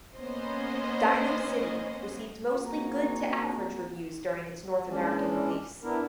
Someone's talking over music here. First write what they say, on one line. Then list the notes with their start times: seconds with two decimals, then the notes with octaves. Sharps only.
"DinoCity" received mostly good to average reviews during its North American release.
0.15 A#3 B3 C#4 C5 D#5
2.55 A#3 C4 F4 F#4 G#4 A#5
4.90 A#2 E3 G#3 C#4 D4
5.83 B3 D4 E4 A#4